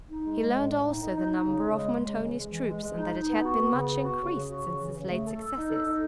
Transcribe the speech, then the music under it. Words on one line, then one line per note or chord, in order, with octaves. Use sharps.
He learned also the number of Montoni's troops, and that it had been much increased, since his late successes.
D#4
G#3
G#3
A2
A2
D#4
D#4
D#4
D#4
C#3
C#3
G#3
G#3
C#3
E3
G#3
E3
G#3
G#3
D#4
D#4
B3
F#4
B3
C#3
B3
F#4
C#3
C#3
F#4
C#3
E3
C#3
A3
A4
A4
D#4
A4
D#4